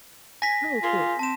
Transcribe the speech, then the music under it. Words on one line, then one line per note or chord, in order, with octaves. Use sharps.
Oh, cool.
G#5 A#6 B6
A#3 F4 G#4 C5
C4 A5 E7